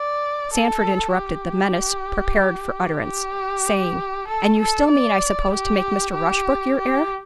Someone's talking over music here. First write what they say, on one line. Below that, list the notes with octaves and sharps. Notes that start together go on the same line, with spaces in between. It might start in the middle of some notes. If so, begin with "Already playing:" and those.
Sandford interrupted the menace prepared for utterance, saying, "and you still mean, I suppose, to make Mr. Rushbrook your heir?"
Already playing: D5
A4
G4
G4
A4
A4
D5
G4
G4
G4